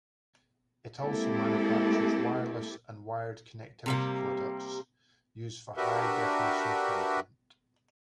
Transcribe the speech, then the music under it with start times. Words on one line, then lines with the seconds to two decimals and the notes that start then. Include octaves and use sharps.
It also manufactures wireless and wired connectivity products used for high-definition content.
0.99 G#3 A#3 C4 E4 G4 A4
3.86 C3 G3 A#3
5.77 D4 F#4 G4 A#4 B4 E5